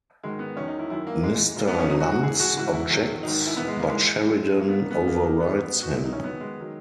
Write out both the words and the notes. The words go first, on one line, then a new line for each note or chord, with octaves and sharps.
Mr. Lantz objects, but Sheridan overrides him.
G#2 D#3 F#3 G#3
B3
E2 D#3 F#3 C#4
D#4
E4
F#2 D#3 F#3 E4
A#3
G#2 E3 G#3
A#2 F#3 A#3
B3
D#4
C#4
E2 B2 F#3 D#4
F#4
F#4
G#2 E3 G#4
F#4
G#2 E3 F#4
E4
E2 D#3 F#3
G#2 D#3 F#3 D#4
E4
G#2 E3 B3
G#3
A#3
G#2 E3 G#3
A#2 F#3
A#2 F#3 A#3
B3
A#3
G#2 D#3 F#3 B3
A#3
F#2 D#3 F#3 A#3
B3
G#2 F#3
F#4
A#2 F#3 E4
D#4
C#4
F#2 D#3 F#3 B3
G#3
D#3 F#3